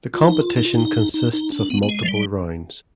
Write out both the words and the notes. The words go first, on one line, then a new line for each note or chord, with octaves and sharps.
The competition consists of multiple rounds.
F4
D#4
F4
D#4
F4
D#4
D#4
D#4
D4
B3
B3
G#3
F3
G3